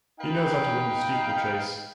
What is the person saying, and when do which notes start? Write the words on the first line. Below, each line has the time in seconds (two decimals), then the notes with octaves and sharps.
He knows how to win the steeplechase.
0.20 D#4 B4 F5 G5